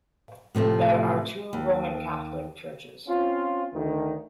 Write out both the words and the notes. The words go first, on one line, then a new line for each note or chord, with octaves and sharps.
There are two Roman Catholic churches.
A2 C3 F3 A3
D#2
C4 C#4 F4
D2 D#3